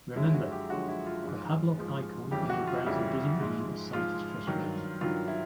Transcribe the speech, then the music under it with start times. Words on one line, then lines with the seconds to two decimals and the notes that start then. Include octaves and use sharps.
Remember, a padlock icon in your browser doesn’t mean a site is trustworthy.
0.16 F#2 D3 F3 G#3 E4
0.34 F#4
0.52 G4
0.70 F#2 D3 F3 G#3 F#4
0.88 E4
1.06 F4
1.24 G#2 F3 G#3
1.78 G#2 F3 G#3
2.31 F2 C#3 E3 G3 G4
2.50 F#4
2.67 F4
2.86 F2 C#3 E3 G3 E4
3.40 G#2 F3 G#3
3.93 G#2 F3 G#3 F4
4.47 G2 D#3 F#3
5.01 G2 D#3 F#3 F4
5.28 E4